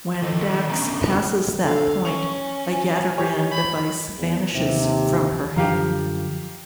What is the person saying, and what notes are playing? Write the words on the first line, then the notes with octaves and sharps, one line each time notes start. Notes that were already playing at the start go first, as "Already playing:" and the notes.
When Dax passes that point, a Yaderan device vanishes from her hand.
D#3 A4 D#5
D3 A3 B3 C#4 A#5
D3 A4 F5
C#4 C#6 F7
G#5
G4 C#5
B5
E2
D#2 C3
F#2 D3 F3 G4 F5 A#5